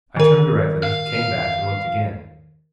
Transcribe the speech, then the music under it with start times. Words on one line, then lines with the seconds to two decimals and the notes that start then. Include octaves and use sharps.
I turned directly, came back, and looked again.
0.16 D#3 A#4
0.83 F5